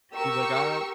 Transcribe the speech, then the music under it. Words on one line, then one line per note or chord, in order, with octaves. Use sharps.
He's like, "I"
G4 A#4 C#6 E6